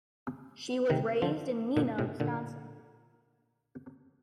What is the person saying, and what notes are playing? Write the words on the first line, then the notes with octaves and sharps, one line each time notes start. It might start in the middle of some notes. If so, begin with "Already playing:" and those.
She was raised in Neenah, Wisconsin.
C3 D#3
D3 F3
A#2 D3
A2 C3
A#2 D3